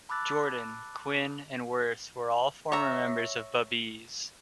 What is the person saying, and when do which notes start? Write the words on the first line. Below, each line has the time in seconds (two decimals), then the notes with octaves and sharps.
Jordan, Quinn and Wirth were all former members of Babeez.
0.09 A5 B5 D6 E6 F#6 A6
2.72 C#5 E5 A#5